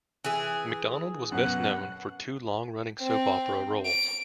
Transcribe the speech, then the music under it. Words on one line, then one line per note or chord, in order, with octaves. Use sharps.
McDonald was best-known for two long-running soap opera roles.
E3 G#4
F#2 B2 F#5
C4
D7